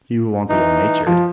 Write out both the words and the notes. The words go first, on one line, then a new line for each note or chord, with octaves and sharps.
"You won't be ill-natured?"
E3 D#4
F3